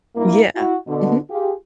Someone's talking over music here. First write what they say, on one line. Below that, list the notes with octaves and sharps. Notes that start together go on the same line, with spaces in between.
Yeah. Mhm.
G2 A#3 E4
E4 F#4
B2 D3
F4 G4 G#4